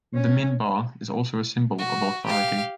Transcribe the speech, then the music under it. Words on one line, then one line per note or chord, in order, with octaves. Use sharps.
The minbar is also a symbol of authority.
C#4
F#4
G4 F5